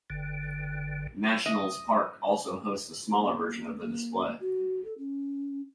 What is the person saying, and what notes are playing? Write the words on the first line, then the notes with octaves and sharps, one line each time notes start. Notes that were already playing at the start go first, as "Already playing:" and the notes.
Nationals Park also hosts a smaller version of the display.
G1 D3
D#5
A#3
A#3
F#4
A4
C#4